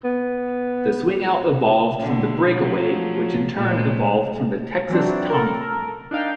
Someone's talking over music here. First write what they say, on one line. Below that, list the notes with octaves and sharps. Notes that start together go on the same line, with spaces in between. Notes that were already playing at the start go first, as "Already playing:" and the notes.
The swingout evolved from the breakaway, which in turn evolved from the Texas Tommy.
B3
B2 D3
F3 F#3 A3
A#2 G#3 A3
E3 F#3 C4 D4
A4 A#4
D4 D#4 F5 G5